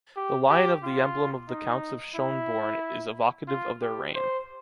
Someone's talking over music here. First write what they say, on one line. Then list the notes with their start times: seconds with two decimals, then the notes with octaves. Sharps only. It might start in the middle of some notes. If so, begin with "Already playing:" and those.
The lion of the emblem of the Counts of Schönborn is evocative of their reign.
0.16 G4
0.50 G4
0.83 F4
1.49 D#4
2.15 E4
3.48 F4
3.81 G4
4.14 C5